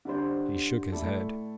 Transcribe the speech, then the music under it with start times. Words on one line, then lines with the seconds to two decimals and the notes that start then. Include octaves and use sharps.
He shook his head.
0.05 D3 G3 D4 C5
0.91 A2 A3 E4 A4 D5